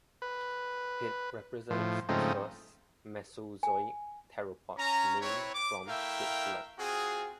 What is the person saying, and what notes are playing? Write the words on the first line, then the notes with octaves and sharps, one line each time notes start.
It represents the first Mesozoic theropod named from Switzerland.
B4
A2 F3
G#2 C#3 F3 A3 C4 D#4
G#5
C#4 A#5
C4 E4 B4 C#5
D6
A3 E4 A#4 E5 F5 G5
C4 F4 F#4 G#4